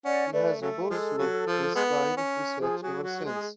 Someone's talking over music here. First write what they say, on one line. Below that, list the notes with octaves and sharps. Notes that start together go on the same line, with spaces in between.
He has pursued this line of research ever since.
C#4 D5 F#5
A3 B4 D5
C#3 F#3 A3 A4
F3 G#3 A4
C#3 F#3
F3
G#3 B3
C#4
F3 G#4
F#3 G#4
F#3 F#4
G#3 G#4